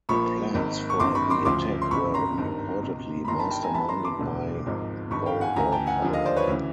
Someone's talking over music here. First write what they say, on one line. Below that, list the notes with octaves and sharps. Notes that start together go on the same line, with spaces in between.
Plans for the attack were reportedly masterminded by Golwalkar.
A#1 A#2 F3 B5 C#6
G#1 G#2 D#3
C#6
G1 F#2 D#3 C6 D6
B5 C#6
C6 D6
D2 C#3 F3 C6 D6
C6
G#1 F#2 C#3 B5 C#6
A#5 C6
G#1 G2 D#3
C#2 B2
B5
G1 G2 D#3 A#5 C6
A5 B5
G5 A5
G#5 A#5
G1 G2 E3 A5 B5
A#5 C6
C6 D6
E1 D2 D3
G#1 G#2 F3
G#1 G2 D#3 B5 C#6
F5 G5
F#5 G#5
D2 C#3 E3 G#5 A#5
G5 A5
F#5 G#5
D#2 D3 F3
D#5 F5
C5 D5
B4 C#5
D2 C#3 E3